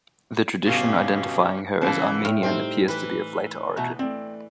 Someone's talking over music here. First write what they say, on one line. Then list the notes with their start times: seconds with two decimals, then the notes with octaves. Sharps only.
The tradition identifying her as Armenian appears to be of later origin.
0.66 G1 B2 C#4 G4 F5
1.81 C#3 E3 A#3 B3 C#4 A5
2.25 A2 C#5 G5 F6
2.43 G3 C4 D#4 G5 F6
2.88 E3 B4
3.77 B2 A3 A#5
3.99 A3 C4 D5